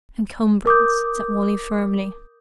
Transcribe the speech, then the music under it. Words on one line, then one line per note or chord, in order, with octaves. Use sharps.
"Encumbrance," said Wally firmly.
A#4 D6 D#6 G6